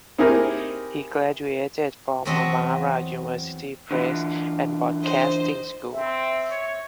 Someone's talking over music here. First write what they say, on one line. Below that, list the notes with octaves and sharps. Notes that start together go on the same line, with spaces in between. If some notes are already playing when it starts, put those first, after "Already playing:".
He graduated from Marmara University Press and Broadcasting School.
C4 D#4 E4 G4 G#4 A#4
E2 F#3 C4 F#4 D#5 A5
D3 E3 F4
C5 D#5
C4 E5
C#5